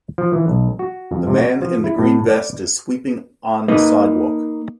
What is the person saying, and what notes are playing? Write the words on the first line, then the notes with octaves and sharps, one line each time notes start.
The man in the green vest is sweeping on the sidewalk.
F3
E3
B1
F#4
F2
C3
F#4
F3
E4
A2
D5
A#3 D#4 B4 D#5